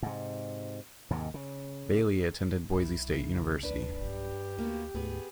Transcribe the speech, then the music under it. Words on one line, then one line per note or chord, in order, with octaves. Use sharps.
Bailey attended Boise State University.
G#2 C3
D#2 G#2 C3
C#3
B1 E4
C#3
D2 D4 B4
G2 G4
D2 A#3 B3 F#4
D2 G#2 B3 G#4